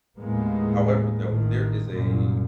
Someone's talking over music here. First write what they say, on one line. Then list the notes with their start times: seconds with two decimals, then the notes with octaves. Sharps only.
however, though, there is a
0.17 D#2 A2 G#3 A#3 B3
1.26 A1 A2 D#3
1.89 C2 F#2 A#2